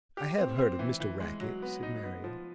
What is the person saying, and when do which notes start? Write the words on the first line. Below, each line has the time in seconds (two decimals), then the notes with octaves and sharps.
'I have heard of Mr Rackett,' said Marian.
0.17 G4
0.38 C4
0.58 C4
0.79 E3
1.00 E3
1.20 G#3
1.40 F#3
1.62 B3
1.83 D#4
2.04 B3
2.24 F3